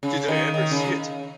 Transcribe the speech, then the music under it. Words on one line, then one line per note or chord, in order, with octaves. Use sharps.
Did I ever see it?
C#3
D#3
D#3
C#3